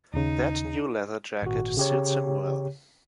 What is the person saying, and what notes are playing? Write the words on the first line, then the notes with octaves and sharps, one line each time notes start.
That new leather jacket suits him well.
D#2 C#3 D#4
G#1 A#2 F#4
C#3 G4 C#5